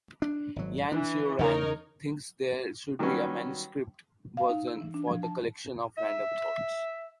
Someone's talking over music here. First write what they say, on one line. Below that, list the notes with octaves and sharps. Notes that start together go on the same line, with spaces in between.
Yan Xiaoran thinks there should be a “manuscript” version for the Collection of Random Thoughts.
D4
G#1 F#3
E3 D4
E2 C#3 D#4 A#4 C#5
D#3 F#3 G3 B3 C#4
F5
D#4
E6
E3
D4
F3
A5
E5